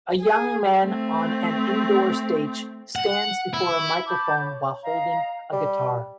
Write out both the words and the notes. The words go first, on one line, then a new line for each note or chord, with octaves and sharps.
A young man on an indoor stage stands before a microphone while holding a guitar.
G#4
A3 C4
F#5
E4
A5 B5 D6 G6
C#5
D#5 F5 A#5
G3